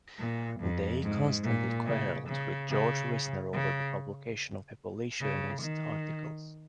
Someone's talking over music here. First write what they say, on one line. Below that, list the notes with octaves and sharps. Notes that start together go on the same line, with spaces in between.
Day constantly quarreled with George Wisner over the publication of abolitionist articles.
A#2
F2
G#2
A#2
C#3
C#3
C#3
C#3
C#3
D#3